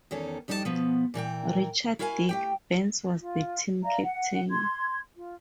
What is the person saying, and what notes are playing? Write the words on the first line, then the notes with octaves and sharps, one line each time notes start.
Richard "Dick" Bence was the team captain.
E2 D#3 C#4 A4
F2 G3 D#4 G4 A4 A5
B2 F3 B3
A#2 E3 A#4 G5
E4 F#4 A#4 F5 F#5 G#5
A3 G4 G5
F4
D5 E5 F5 A#5
F#5
C6 G#6
F4